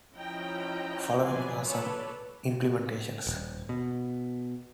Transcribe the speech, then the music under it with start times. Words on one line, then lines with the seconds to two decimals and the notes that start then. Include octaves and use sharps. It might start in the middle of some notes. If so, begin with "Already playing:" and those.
Following are some implementations.
0.15 F3 C#4 E4 D#5 G5 A#5
1.23 F3 F#3 B3 D5 G#5 C6
1.64 A4 B4 C#5 D5
3.27 D#1
3.69 B2